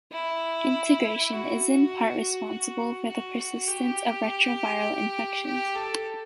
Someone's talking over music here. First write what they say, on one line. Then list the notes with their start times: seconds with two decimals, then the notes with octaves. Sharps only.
Integration is in part responsible for the persistence of retroviral infections.
0.12 E4
1.30 F#4
2.49 F#4
3.08 F#4
3.38 F#4
3.68 G4
5.45 G4
5.75 A4